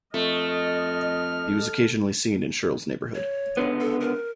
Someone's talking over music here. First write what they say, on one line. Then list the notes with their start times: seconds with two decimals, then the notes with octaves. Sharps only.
He was occasionally seen in Shirl's Neighbourhood.
0.14 F2 A3 D#5 F6
3.15 C#5
3.57 C#2 D3 B3
3.81 A4
4.01 A#4